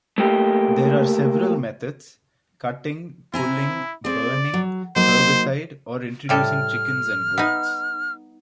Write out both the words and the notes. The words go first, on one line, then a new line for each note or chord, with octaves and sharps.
There are several methods, cutting, pulling, burning, herbicide or introducing chickens and goats.
A3 A#3 G4
C4 E4 G#5 A#5
C4 G#4 D5
F#3
F#3 A#3 D#4 C5
A2 G3 A4 F6
B3 D#4